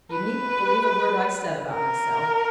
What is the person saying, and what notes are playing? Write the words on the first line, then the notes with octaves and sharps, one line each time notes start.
You needn't believe a word I said about myself.
B4
A#4